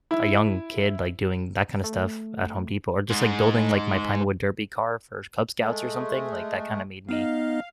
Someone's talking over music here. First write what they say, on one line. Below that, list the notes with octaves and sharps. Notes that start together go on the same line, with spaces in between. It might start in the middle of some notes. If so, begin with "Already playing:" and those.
a young kid, like, doing that kinda stuff at Home Depot or just, like, building, like, my pinewood derby car for Cub Scouts or something, like, that kinda made me
E4
A3
G#2 G#3
G#3 A3
B3 D#4 D#5 F5